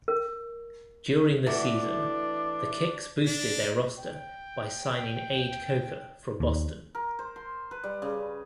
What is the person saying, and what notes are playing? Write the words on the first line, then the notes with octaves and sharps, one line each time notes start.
During the season, the Kicks boosted their roster by signing Ade Coker from Boston.
A#4
E3 A3 D4 F#4 D6
D4
G5
D#2
A#4
C5
C6
B4
G3
C#3